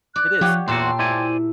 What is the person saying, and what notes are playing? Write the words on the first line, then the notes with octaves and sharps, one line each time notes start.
It is.
D5 F#6
F3 G4 C#5 F#5
E2 A#2 F#4 A4 G5 A5 C6
E4 C5 D5 G#5